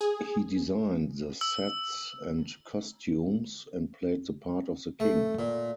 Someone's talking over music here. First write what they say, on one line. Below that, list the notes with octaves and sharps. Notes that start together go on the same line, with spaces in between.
He designed the sets and costumes, and played the part of the King.
G#4
E6
A3
A#2